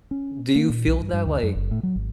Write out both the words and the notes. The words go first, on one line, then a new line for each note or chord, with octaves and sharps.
Do you feel that, like,
C#4
A#3
A#2
B1
G2
G2
D2
F#2
F#1
A2
F#3
G#1